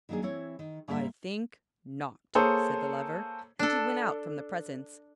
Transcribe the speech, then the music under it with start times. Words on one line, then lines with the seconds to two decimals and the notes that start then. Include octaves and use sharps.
"I think not," said the Lover--and he went out from the presence.
0.09 D#3 F#3 A#3 D4 G#4
0.22 E3 C4 E4 C#5
0.59 D#3
0.88 G#2 G3 A#3 G#4 E5
2.35 A#3 G#4 A4 C5 C#5
3.59 D4 A4